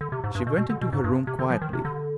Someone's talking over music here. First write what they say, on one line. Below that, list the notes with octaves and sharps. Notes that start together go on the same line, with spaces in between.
She went into her room quietly.
D3
C3
G#2
G2
B2
B2
D3
B2
G#2
G2
C3
D3
F3
D#3
C3
D3